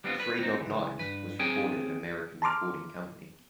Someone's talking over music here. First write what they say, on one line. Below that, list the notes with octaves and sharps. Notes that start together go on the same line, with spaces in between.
"Three Dog Night" was recorded at American Recording Company.
G3 B3 C4 D4 F4
B4
C4 D#4
C#2 E3
G2 B4
C4 G#4 C#5 G5 G#5
A5 A#5 C6 D6 F6